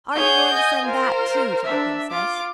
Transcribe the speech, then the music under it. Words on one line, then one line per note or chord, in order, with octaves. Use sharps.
Are you going to send that, too, to the Princess?'
G#4 C#5 F#5 G6
D#5 G#5
F4 A#4 C5
D4 E5
F4 D6